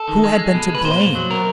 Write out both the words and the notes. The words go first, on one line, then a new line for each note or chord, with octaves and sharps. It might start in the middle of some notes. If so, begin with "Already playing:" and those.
Who had been to blame?
Already playing: A4
D#3
G#3
G#3
B2
G#3
B4
A#2 C5
A#2
F#3
B2 A#4